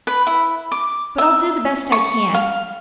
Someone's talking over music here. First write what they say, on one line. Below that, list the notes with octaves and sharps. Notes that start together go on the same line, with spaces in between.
But I'll do the best I can.
B4
E4
D6
E5
C#6
F5